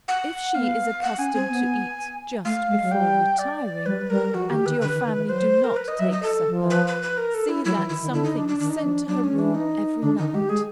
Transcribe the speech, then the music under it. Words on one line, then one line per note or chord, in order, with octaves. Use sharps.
If she is accustomed to eat just before retiring, and your family do not take supper, see that something is sent to her room every night.
F#5
B3 F5
F#5
C#4 G#5
C4 G#5
B3
A3 F5
G#3
F#3
G3 G5
D5
G3 B4
G3 A#4
F3 F#4
D#3 G4
D#3 B4
D3 B4
D#3
D#3
E3
F#3 C5
A#4
B4
D#5
F#3 E5
D#5
A4
F3
B4
B4
B4
A#4
A4
E4
F#3 E4
E3
D#3 E4
D#3
D3 E4
D#4
D4
D4
D#3 D4
D#4
F3 D4
F#3 D4
C#4
E3
D4
D#4
D3 D4
D#3 D#4
G#3 G4
G#3 G#4